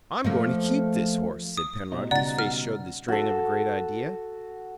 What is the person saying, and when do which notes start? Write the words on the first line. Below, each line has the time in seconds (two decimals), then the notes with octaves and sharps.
"I'm goin' to keep this horse," said Penrod, whose face showed the strain of a great idea.
0.24 F3 A3 A#3
1.57 D#6
1.92 B2 G3 D#4
2.11 C#3 D5 F#5 A#5 A6
2.39 F6
3.08 F#4 A4